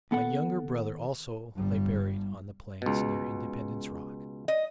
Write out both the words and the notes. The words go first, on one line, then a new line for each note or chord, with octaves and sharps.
My younger brother also lay buried on the Plains, near Independence Rock.
D#2 B3 A4 F#5
G1 G3
C#2 B2
D#5